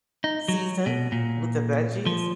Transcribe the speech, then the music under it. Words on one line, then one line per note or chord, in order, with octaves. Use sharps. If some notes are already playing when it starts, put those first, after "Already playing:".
seasoned with the veggies.
D#4
F#3
B2
A#2
F3